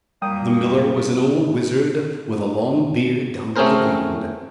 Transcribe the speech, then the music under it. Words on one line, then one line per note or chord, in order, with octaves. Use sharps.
The miller was an old wizard, with a long beard down to the ground.
F#2 A#2 G3 A#3 G5 D#6
A3 C4 C#4 G#4 A#4 C5